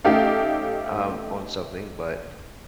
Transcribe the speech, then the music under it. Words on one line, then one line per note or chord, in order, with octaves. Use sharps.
um, on something, but,
A3 C#4 D#4 G4 A4 F5